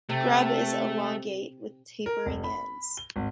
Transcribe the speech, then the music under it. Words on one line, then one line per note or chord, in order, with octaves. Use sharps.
Grub is elongate with tapering ends.
C3 A3
A#4
F1
B5
G7
G#1